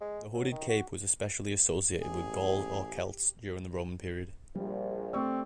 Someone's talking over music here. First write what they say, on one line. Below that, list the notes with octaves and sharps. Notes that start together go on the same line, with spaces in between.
The hooded cape was especially associated with Gauls or Celts during the Roman period.
G#3
F#3
D#3
F#4
A1 G4 G#4
A#1 G3
A3 C4 G4 D5 C#6 E6